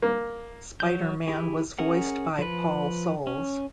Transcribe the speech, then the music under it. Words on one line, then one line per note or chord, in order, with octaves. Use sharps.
Spider-Man was voiced by Paul Soles.
A#3
F#3 G6
E4 G4 G#4
C#4 G#4 A#4 F#5
F3 B4
C#4